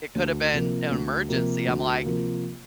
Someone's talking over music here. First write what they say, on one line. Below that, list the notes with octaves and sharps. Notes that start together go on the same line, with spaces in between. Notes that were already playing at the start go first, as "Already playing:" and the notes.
It could have been an emergency," I'm like,
D2
C3 F3 A#3
D2
C3 F3 A#3
D2
C3 F3 A#3